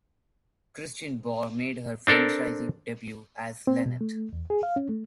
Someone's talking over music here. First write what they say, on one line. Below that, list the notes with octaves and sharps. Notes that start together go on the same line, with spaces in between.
Kristin Bauer made her franchise debut as Laneth.
C4 D4 A4 A#4
C4
B2
A3
E2
G#4
F5
C#4
A3